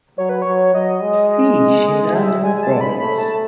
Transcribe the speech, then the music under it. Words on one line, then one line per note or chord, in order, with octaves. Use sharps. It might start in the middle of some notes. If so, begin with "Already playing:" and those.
See Shinano Province.
F#3 C#5
B4
F#3 C#5
F#3 D#5
G#3
D#5
D#5
E5
G#3 G#5
A5
B5
A3 B5
A5